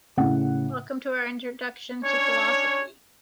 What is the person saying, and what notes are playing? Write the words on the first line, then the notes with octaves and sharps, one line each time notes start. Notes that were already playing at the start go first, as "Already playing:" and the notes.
Welcome to our introduction to philosophy.
A2 C#3 F#5
C#4 D4 C#5